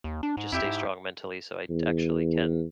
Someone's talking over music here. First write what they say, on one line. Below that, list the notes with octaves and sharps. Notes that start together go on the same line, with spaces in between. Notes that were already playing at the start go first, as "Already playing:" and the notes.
just stay strong mentally, so I d actually can
D#2
D4
G#2
F2 E4 G4 E5
G#2
E2